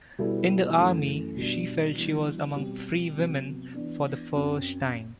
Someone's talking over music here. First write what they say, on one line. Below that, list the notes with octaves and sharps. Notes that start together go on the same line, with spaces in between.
In the army, she felt she was among free women for the first time.
B2 G3 B3 E4 A4
F#2 E3 A3
B2 G3 B3 D4
E3 G3 B3 D4
B2 G3 C4 G4
C3 F#3 B3
E3 B3 D4
F#2 F#3 C4